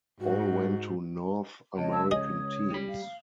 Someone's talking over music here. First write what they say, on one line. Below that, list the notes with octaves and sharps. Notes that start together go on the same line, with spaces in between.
All went to North American teams.
G#2 F#4
C#2 C#5 D#5 A5
E6
G#4 C#5 D#5 D#6
G3 B5
F5